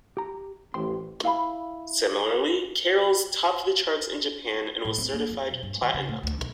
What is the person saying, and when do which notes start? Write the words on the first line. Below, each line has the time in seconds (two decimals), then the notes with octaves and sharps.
Similarly, "Carols" topped the charts in Japan and was certified Platinum.
0.17 G4 A#5
0.74 A1 C5 G5 C6
1.24 E4 F5 G#5 B5
4.85 A2
4.98 C4
5.14 A#3
5.30 F2
5.51 B2
5.63 G2
5.82 D#3
5.94 C#3
6.09 A2
6.23 D2
6.38 B1